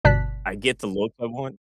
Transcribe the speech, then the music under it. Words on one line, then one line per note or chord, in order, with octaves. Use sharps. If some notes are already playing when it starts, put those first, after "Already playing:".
I get the look I want.
G1 B2 D5 A5 F#6 B6